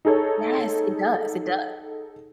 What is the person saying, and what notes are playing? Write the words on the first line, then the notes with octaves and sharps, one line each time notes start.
Yes, it does, it does.
D#4 G#4 A4 C#5